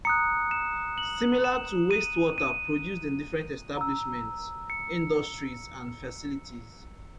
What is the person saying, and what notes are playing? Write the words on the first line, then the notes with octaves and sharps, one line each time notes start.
Similar to wastewater produced in different establishments, industries, and facilities.
A#5 D#6 F#6 C#7
E7
F#7
E7
D#7
D#7
A#5 E6
C#7